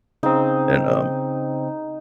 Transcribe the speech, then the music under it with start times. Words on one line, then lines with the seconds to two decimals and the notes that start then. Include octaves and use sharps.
and, um,
0.23 C#3 C4 D#4